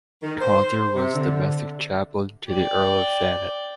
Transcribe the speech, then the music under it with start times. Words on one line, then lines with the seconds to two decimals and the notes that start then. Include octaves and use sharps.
Caunter was Domestic Chaplain to the Earl of Thanet.
0.23 D#3
0.41 C5
0.95 C3
1.14 D3
2.49 D5 G5